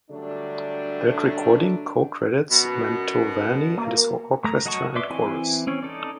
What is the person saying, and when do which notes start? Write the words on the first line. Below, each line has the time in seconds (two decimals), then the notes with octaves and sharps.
That recording co-credits Mantovani and his Orchestra and Chorus.
0.11 D3 F#3 G3 A3 D4
2.50 F#2 B2
3.77 A#3
4.44 A3 A#5
4.65 F#3 D#5 F#5 A5 C#6
4.95 B4 D5 E5 C6 D6
5.10 E3 C4 E4 G#5 C6
5.67 C4 C#4 C#5
5.83 D#4 A4 D5